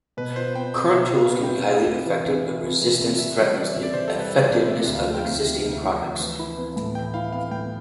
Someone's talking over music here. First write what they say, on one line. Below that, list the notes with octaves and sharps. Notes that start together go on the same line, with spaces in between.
Current tools can be highly effective but resistance threatens the effectiveness of existing products.
B2 B4
F4 C5
B3 G5
C2 G5
B2 E5
F4
F5
B3
G5
C2
C3 F5
C2
E3
C2
C3
C2
E3
C2
C3 E5
G3
E3 D5
C2 E5
D5
C3 C5
A4
G3
B4
E3
D5
C5
C2
C3 E5
D2
F5
F3
G5
F5
D2
C3
D2
F3
D2
E3
E4
B3
A2
E3 G5
E4 F5
B3 F5
A2 G5